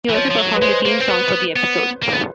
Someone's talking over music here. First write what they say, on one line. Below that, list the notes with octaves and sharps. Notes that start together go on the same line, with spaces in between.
He also performed the theme song for the episode.
E3
F3 C#5
F3
F#3
B4
G#3 C5
A#3
C4
B3 B4
B3
A#3
B3